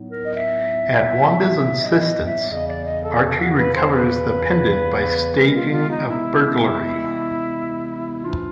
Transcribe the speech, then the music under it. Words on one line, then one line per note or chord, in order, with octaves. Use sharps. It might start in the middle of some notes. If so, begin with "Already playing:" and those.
At Wanda's insistence, Archie recovers the pendant by staging a burglary.
Already playing: A2 F#3 B3 D#4
A#4
D#5
E5
D#5
E5
D#5
E5
D5
E2 C#3 E3 D#5
D5
D#5
A4
A4
F#4
B4
C5
B4
C3 E3 G#3 B3 A#4
F4
F4
D#4
E4
G#2 E3 A3 D4 F4